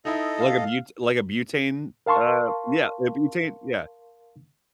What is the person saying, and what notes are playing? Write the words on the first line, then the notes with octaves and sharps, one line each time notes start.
Like a bute like a butane? Uh, yeah, a butane? Yeah.
D#4 E4 A4 D#5
F5
A#4 F5 A5 C6 C#6